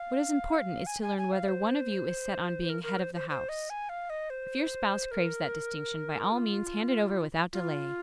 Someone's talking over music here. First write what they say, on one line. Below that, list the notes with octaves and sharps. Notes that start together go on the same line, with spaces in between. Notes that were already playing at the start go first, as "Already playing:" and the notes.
What is important is to learn whether one of you is set on being "head of the house." If your spouse craves that distinction, by all means hand it over without delay.
Already playing: F5
G#5
G#5
G#5
F5
C5
A#4
A#4
C5
C5
C5
D#5
G#5
F5
D#5
C5
A#4
F4
F4